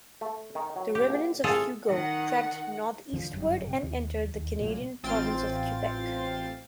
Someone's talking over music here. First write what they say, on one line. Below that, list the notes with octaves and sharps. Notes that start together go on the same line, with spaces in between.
The remnants of Hugo tracked northeastward and entered the Canadian province of Quebec.
A3
D#3
F#3
G4
A#1
C2 F4 G#4 A4 G#5
D#3 F#5
E2 D3 F3 D4
G1 F#2 G3
C3
D#2
D#2
C2 A#2 F#3
A1 C4 F4 G5 C6 A6